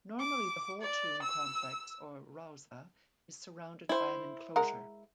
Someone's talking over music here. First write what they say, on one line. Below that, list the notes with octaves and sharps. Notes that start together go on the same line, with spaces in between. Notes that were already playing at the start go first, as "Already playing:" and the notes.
Normally the whole tomb complex or "rauza" is surrounded by an enclosure.
D6
D5
E6
E4 C5
G#3 A#4 F#5